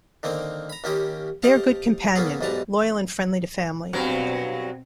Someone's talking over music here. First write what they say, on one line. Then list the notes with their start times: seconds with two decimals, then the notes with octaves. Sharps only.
They are good companion, loyal and friendly to family.
0.23 D3 D#3 A#3 C4
0.70 A#5 B5
0.84 D#2 A#3 C#4 G4 D#5 B5
1.43 G4 C5 D#5 F5 A5
2.16 A#3 B3 C#4 G#4 A4
2.41 B1 G#2 G3 B4 A5 A#5
3.93 G2 B2 F#3 C4 A#4